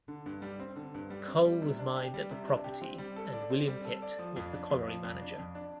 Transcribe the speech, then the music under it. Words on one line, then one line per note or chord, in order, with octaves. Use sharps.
Coal was mined at the property and William Pitt was the colliery manager.
D3
G2
G3
C4
D3
G2
G3
C4
G3
C3
D4
G4
G3
C3
D4
G4
C4
G3
A4
D5
C4
G3
A4
D5
F3
F2
D4
F2
F3
F2
D4
F2
D4